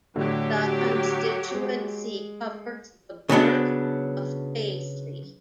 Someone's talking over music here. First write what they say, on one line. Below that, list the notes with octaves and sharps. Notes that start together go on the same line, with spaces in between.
The constituency covered the burgh of Paisley.
A2 D3 F#3 G4
G#3
C#3 F#3 B3 D4